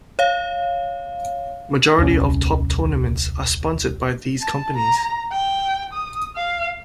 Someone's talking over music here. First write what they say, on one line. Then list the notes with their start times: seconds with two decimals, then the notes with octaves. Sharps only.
Majority of top tournaments are sponsored by these companies.
0.19 C#5 F5
1.99 D#1 C2 A#2 C#4
4.41 A5
4.74 A#5
5.32 G5
5.93 D#6
6.36 F5